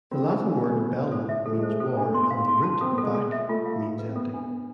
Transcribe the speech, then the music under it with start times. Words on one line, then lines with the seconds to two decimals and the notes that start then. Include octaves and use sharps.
The Latin word "bellum" means war, and the root "vac-" means empty.
0.11 C4 F4
0.28 G#4
0.44 G#5
0.62 G#5
0.71 A3
0.79 B3 C5
0.96 C5
1.12 A4
1.29 E5
1.46 A3 A4
1.57 G#3
1.63 C5
1.69 A3
1.80 A4
1.97 D4
2.05 A3
2.14 B3 C6
2.31 F5
2.48 C6
2.64 A5
2.81 C4 A4
2.92 B3
2.98 A4
3.03 G#3
3.15 A4
3.32 E5
3.48 A3 F4
3.66 F5
3.83 F4
3.99 B4
4.08 C4
4.16 B3 A4
4.34 D4
4.50 D4